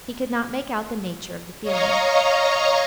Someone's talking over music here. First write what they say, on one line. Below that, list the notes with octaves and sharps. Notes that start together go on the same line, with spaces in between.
He could not make out the nature of the feeling.
C#5 D#5 F5 A#5 C#6